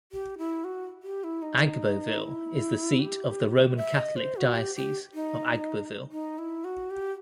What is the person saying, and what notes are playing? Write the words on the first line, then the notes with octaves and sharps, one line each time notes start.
Agboville is the seat of the Roman Catholic Diocese of Agboville.
G4
E4
F#4
G4
E4
D#4
E4
G4
E5
D#5
C5
F#4
G4
G4
D#4
D#4
E4
F#4
G4